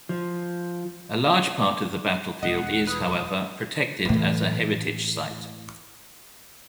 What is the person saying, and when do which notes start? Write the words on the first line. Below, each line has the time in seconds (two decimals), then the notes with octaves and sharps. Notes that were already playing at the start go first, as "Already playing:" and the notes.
A large part of the battlefield is, however, protected as a heritage site.
0.09 F3
2.43 E1 D#5 F#5
2.87 B4 D#6
4.05 A2 E3